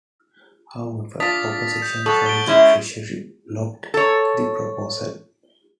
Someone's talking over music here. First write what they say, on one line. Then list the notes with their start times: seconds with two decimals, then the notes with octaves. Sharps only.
However, opposition from the Treasury blocked the proposal.
1.20 D4 F4 D#6 A6 B6
1.82 G6
2.06 F#3 A4 C#6 D#6 F#7
2.26 D7 G7
2.48 G#3 C#4 E4 G#6
3.94 A4 C#5